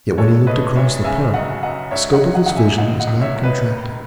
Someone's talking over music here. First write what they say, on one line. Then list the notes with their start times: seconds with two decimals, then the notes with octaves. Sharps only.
Yet when he looked across the Park the scope of his vision was not contracted.
0.17 G#3 A4 C#5
0.47 A2 B4 D#5
0.75 B1 C#5 E5
1.04 C#3 E5 G#5
1.34 F#2 D#5 F#5
1.63 F#2 D#5 F#5
1.91 C#2 C#5 E5
2.13 D#5 F#5
2.21 F#3
2.35 D#5 F#5
2.46 C#2 F#5
2.56 E5 G#5
2.78 C#2 D#5 F#5
3.00 D#5 F#5
3.07 C#2
3.21 C#5 E5
3.36 C#2
3.44 B4 D#5
3.65 E1